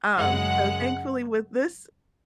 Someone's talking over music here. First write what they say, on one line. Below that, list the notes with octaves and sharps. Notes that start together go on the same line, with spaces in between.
Um, so thankfully, with this,
F#2 C#3 G#3 F#5